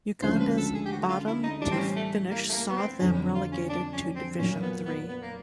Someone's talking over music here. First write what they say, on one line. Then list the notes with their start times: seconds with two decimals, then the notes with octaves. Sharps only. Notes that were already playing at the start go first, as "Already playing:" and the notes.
Uganda's bottom two finish saw them relegated to Division Three.
0.22 D2 C#3 F3 G#3 C5
0.40 B4
0.57 A4
0.74 G#4
0.86 G4
0.92 F#4
1.09 F4
1.27 E4
1.43 D#4
1.61 A2 E3 G3 D4
1.71 C4
1.78 C#4
1.96 A3
2.31 A#3
2.49 A3
2.54 A#3
2.69 B3
2.77 C4
3.00 F2 D3 F#3 C#4
3.35 F4
3.52 C#4
3.69 D4
3.93 C#4
4.16 C4
4.39 A#2 F#3 A#3 C#4
4.62 B3
4.85 B3
5.08 B3
5.21 A#3